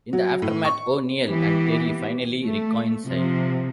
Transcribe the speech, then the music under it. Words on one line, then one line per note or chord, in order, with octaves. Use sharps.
In the aftermath, O'Neill and Terry finally reconcile.
F#3
A2
C#6
E3 B3 G4
A3
C3 F3